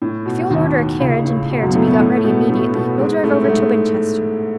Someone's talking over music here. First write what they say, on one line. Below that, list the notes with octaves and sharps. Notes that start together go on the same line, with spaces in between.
If you'll order a carriage and pair to be got ready immediately, we'll drive over to Winchester.
A2
B2
D#2 D#3
C#2 C#3
A2
B2
F#2 F#3
B3
A2 A3
B2 B3
A2 A3
A3
B2 B3
A2 A3
B2 B3
G#2 G#3
A2 A3
A3
G#2 G#3